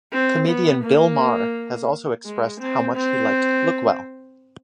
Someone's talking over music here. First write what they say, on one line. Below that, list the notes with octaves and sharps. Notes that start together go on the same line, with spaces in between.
Comedian Bill Maher has also expressed how much he liked "Lookwell".
C4
B3
A#3
G#3
C4
C4